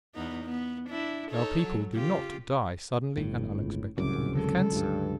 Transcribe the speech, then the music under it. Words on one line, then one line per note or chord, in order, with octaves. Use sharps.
Now people do not die suddenly and unexpectedly of cancer.
E2 B3 D#4
B3
D4 E4
D#4 A4 C#5
F#3
C#3 F4 G4
G1 A2
C#2
D1 C2 F#2 C#3 D6
D3 F#3 G#3 A4
C#2 G2